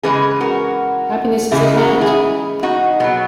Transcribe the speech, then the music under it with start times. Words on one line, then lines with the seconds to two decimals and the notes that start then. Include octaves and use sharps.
Happiness is at hand!
0.03 C#3 E3 G#3 G#4 B4
0.41 F#4 A#4
1.51 C#3 E3 G#3 E4 G#4
1.76 F#4 A#4
2.01 E4 G#4
2.63 D#4 F#4
3.00 B2 F#3 B3